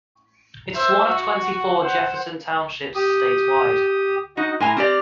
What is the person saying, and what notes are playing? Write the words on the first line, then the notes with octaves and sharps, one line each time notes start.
It is one of twenty-four Jefferson Townships statewide.
C5 E5
F#4
C5 F#5
G4 D#6
D#4 F#4 D#5 F#5
A2 G#5 A#5 C6
C4 G4 D5 F6